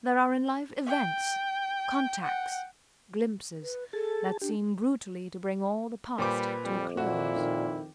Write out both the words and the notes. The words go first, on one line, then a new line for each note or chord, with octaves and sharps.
There are in life events, contacts, glimpses, that seem brutally to bring all the past to a close.
G5
F#5 G5
B4
G#4 A4 A5
D4 G4
A#2 G3 B4 C5 D6
F2 G3
A#2 E4 F#4
D#3